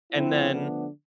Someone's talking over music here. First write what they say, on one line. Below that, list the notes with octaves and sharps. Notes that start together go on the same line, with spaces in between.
And then,
D3 F3 A3 C4 E4
B3 D4